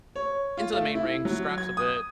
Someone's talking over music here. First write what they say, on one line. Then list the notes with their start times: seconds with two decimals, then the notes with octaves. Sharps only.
into the main ring, scraps a bit,
0.16 C#5
0.57 F4
0.73 A3
0.95 E4
1.25 F#3
1.58 G#6
1.77 D#6